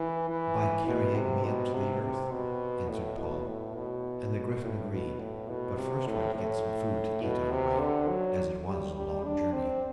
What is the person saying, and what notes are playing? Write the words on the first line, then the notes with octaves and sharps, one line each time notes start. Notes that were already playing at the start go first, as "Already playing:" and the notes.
'By carrying me up to the earth,' answered Paul; and the griffin agreed, but first went to get some food to eat on the way, as it was a long journey.
Already playing: E3
E3
B2
C3
B2
C3
C3
B2
A2
B2
A2
B2
A2
B2
A2
B2
C3
A2
A2
B2
C3
D3
F#3
G3
G3
D4
C4